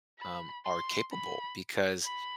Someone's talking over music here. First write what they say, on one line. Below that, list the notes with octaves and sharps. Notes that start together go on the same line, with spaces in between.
um, are capable because,
B5
C6
B5
B5